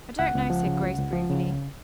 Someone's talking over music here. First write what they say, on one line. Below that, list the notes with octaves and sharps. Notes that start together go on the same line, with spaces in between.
"I don't know," said Grace briefly.
C#2 F#5
C#2
F3
C#3
C#2
C#2
F3
C#3
C#2